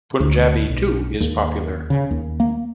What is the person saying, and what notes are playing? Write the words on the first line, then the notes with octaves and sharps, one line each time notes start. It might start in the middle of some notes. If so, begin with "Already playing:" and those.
Punjabi, too is popular.
D2
B1
D#2
C#3
D#2
A#3